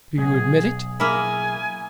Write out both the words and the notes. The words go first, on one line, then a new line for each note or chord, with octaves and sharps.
Do you admit it?
B1 G2 G#4
A#3 E4 G#4 G#5